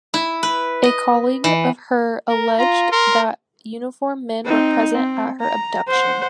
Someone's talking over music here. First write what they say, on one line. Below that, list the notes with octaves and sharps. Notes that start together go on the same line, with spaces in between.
A colleague of her alleged that uniformed men were present at her abduction.
E4
B4
D#5
E3
A#4
F4 A#5
A#4 C6
C4 D#4
C4
A#5
C5 F#5